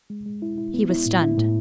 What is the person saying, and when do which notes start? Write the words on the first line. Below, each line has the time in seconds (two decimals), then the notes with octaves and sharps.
He was stunned.
0.10 G#3
0.26 G#3
0.42 E4
0.58 E4
0.74 B3
0.90 E4
1.06 A2
1.22 E4
1.38 A2